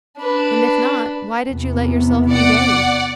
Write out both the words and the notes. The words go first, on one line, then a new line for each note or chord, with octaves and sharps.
'And if not, why did you let yourself be buried?'
D4 B4
E2 C3 B3
D5 F#5